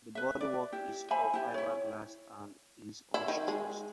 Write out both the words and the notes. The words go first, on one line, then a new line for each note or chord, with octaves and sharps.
The bodywork is of fiberglass and is unstressed.
B4 E5
D5
E4 G4
C5 E5 G#5 B5
E4 G4
E4 C#5
E4
D#3
G#3